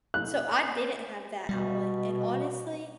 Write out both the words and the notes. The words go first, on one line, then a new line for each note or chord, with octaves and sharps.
So, I didn't have that outlet and honestly,
F#6
B2 G3